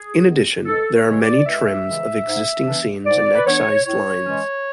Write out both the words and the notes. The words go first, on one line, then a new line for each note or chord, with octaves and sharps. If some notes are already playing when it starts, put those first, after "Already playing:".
In addition, there are many trims of existing scenes and excised lines.
Already playing: G#4
G#3 B3
C#2 A4
C#5
C#3 E3 G#3
D5
C#2 E5
C#3 E3 G#3
G#2
E3 B3 D4
G#2 D5
B4
E3 B3 D4 C#5
A2 C#5
E3 G#3 C#4